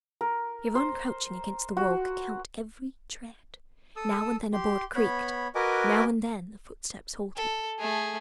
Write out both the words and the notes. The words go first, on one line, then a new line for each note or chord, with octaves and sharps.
Yvonne crouching against the wall could count every tread--now and then a board creaked--now and then the footsteps halted.
A#4
C5
F#4
A4 A5 D#6 E6
G4 C6
B3 C#5 B5
F#4 A#4 B4 D#5 G#5 D6
A4
A3 G#4